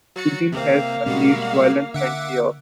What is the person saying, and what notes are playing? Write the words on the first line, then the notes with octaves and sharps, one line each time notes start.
Putin has unleashed violence and chaos.
F#3 F#4 A6 C#7
C3 A#3 C4 F5
B2 G3 G#3 C4 F#4
D3 E5 F#5 D6